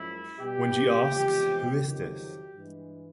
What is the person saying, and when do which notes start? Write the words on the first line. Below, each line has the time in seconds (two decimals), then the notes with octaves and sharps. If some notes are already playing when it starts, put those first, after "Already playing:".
When she asks, Who is this?
Already playing: F#2 F3 G#3 E4
0.39 B2 G3 G4
1.11 E2 C3 F3 G#3
1.83 F2 C3 D#3 F#3 G4
2.55 G2 E3 G#3